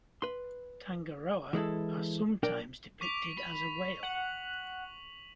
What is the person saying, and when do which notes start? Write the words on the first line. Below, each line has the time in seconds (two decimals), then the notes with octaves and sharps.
Tangaroa are sometimes depicted as a whale.
0.22 B4 C6
1.53 E3 G#3 E4 A4
2.43 B1 D4 A#4 G5
3.01 C#6 D6 B6 F7
3.37 B5
4.03 F#5 F#7